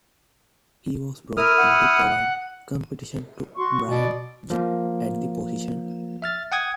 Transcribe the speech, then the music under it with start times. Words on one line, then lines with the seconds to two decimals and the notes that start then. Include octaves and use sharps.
He was brought in to provide competition to Brian Jennings at the position.
1.37 E4 A#4 D#6 F6
1.57 F#5
3.56 F#4 C6 C#6
3.88 B2 D5
4.50 F3 A#3
6.22 E5 F6 A6
6.52 F#5 G5 D#6 G#6